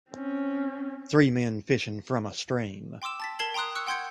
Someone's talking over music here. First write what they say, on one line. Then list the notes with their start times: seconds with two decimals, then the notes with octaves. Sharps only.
Three men fishing from a stream.
0.11 C4 C#4
3.02 G5 C6 D6 E6 E7
3.20 A5 A6 B6
3.39 A#4 A5 G#6 C7 F#7
3.54 G5 A#5 C6 D#6 F#6
3.75 C#6 E6 F#6 C#7
3.87 F#5 G5 C6 G6 G#6 C#7